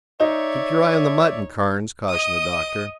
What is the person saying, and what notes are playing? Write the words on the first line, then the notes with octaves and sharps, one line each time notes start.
"Keep your eye on the mutton, Carnes," cautioned the doctor.
D#4 C#5 D5 E5
D#5 D#6